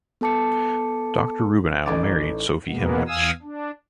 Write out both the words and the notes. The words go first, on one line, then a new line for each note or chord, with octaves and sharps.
Doctor Rubinow married Sophie Himwich.
B3 A4 A5 D6 C#7
A1 C#4 D#4 D6 A6
E2 B2 G#3 A#3 B3
E2 F5 G#5 D#6 E6
D4